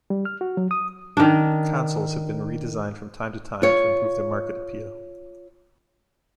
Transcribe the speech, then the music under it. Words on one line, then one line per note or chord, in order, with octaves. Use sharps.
Consoles have been redesigned from time to time to improve their market appeal.
G3
F6
F#4
F#3
D#6
D#3 D4
F4 C#5